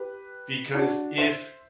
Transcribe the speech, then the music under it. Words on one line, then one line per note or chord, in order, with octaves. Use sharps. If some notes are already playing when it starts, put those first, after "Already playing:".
Because if
Already playing: G4 B4
D4 F#4
C5 E5